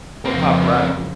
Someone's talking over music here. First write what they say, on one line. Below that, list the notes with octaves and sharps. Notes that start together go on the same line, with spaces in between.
Or Paparazzi?
F2 C#3 F3 A#3 C4